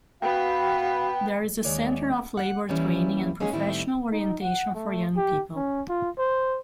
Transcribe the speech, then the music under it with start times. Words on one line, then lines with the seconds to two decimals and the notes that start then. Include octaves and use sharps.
There is a center of labor training and professional orientation for young people.
0.22 B3 F#4 B4 F5 G5
1.65 D#2 G#3 C#5 D5
2.37 F#5
2.69 E3 G3 A#3 C#4 E4
3.40 G#3 A#3 C#4 D#4 G#4
3.53 A2 D#3 G3 C4 E4
4.12 D#4
4.42 F#5
4.75 A3
5.17 G4
5.56 C#4
5.89 F4
6.18 C5